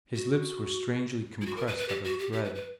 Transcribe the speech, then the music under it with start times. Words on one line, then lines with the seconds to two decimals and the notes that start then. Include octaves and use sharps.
His lips were strangely compressed like a thread.
0.15 F#4
1.41 E4
1.46 F#4
1.56 A#4
1.67 B4
1.78 B4
1.89 G4
2.04 F#4
2.19 G4
2.32 G4
2.44 B4
2.55 B4